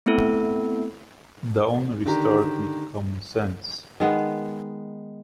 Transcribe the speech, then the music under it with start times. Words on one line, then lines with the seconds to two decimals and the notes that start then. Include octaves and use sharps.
Dawn restored me to common sense.
0.06 A3 B3 C4 E4 A4
2.06 D3 D#3 G4 A#5
4.00 D#3 G#3 B3